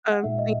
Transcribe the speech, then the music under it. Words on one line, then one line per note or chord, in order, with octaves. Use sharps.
Um, thi
F#5
A#2 G#3 D#4 E5
D#5